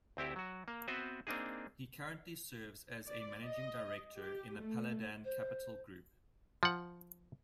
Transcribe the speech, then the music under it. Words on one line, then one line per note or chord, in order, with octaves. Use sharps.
He currently serves as a Managing Director in the Paladin Capital Group.
D2 C4 E4 G4
F#3 F#4
A#3
B3 C4 F#4 B4 C5 E5
A#3 C4 D4 D#4 G#4
D5
D#5
G4
A3
C5
F3 F#5